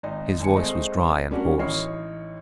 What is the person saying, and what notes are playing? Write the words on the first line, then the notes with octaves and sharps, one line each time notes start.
His voice was dry and hoarse.
G#1 D#4 D#5
G#1 G#5 C#7
G#3 A3 C4 D#4 C5
G3 A#3 C#4 D4 F#4
A1 D#4 C#5 F6 C7